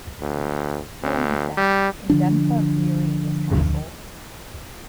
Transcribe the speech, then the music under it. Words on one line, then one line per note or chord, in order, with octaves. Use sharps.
Following his death "Indenfor Murene" was cancelled.
D2
D2
G3
D3 F3 D4